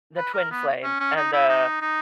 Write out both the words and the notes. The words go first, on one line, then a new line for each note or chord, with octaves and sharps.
the twin flame, and the
B4
A#4
B3
C#4
C#4
D#4
E4
D#4
D#4